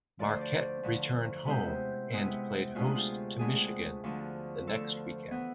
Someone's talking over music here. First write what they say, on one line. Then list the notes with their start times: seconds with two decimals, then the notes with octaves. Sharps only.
Marquette returned home and played host to Michigan the next weekend.
0.19 D2 D3 F3 D5
0.31 C5
0.41 D5
0.83 D2 D3 F3
1.45 C3 G#3 B3 E4 C5
2.11 C3 G#3 B3 E4
2.75 D2 C3 G#3 B3 D4 F4
2.86 G#4
2.96 F4
3.39 D2 C3 G#3 B3 D4 G#4
4.04 D2 D3 F3
4.67 D2 D3 F3 A4
5.31 E3 B3